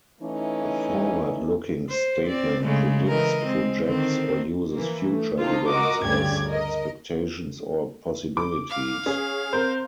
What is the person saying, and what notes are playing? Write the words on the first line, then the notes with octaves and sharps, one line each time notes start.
A forward-looking statement predicts, projects, or uses future events as expectations or possibilities.
E3 A3 C#4 D#4
C5
C4 D5
C#3 G#3 A3
E3 A#4 D#5
G#3 C4
D3 D#3 C4
E3 A#3
A3
A#3 C4 D#4 F4 A4
F4 F#4 A#4 D#5 D6
D2 G2 C#3 G4 D5 G#6
A#4 D#5
D6
F5
C#4 G#4
C4 A#4 C5